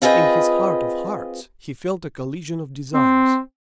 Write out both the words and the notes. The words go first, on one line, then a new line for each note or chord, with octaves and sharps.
In his heart of hearts he felt a collision of desires.
C4 F4 G#4 B4 D#5 G5
C4